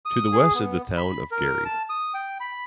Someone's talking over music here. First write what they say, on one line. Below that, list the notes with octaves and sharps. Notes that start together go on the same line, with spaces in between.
To the west is the town of Gerry.
D#6
G#4
B3
B5
A#4
A5
D#6
G5
B5